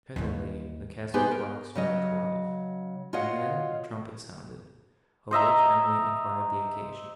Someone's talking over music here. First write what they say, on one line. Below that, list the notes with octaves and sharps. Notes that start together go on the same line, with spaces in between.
Presently, the castle clock struck twelve, and then a trumpet sounded, of which Emily enquired the occasion.
D#2 E3
B3 D#4 G4 G#4 B4 C5
A#4
C#3 F#3 D#5
F4 F#4 C#5 D#5 F5 F#5
C5 D#5 E5 A#5